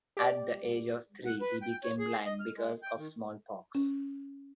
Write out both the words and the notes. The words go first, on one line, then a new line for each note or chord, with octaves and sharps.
At the age of three he became blind because of smallpox.
G4 D5
F#5
B4
G5
C#5
G#4
D#5
F6
G#3
G5
D#3
C#4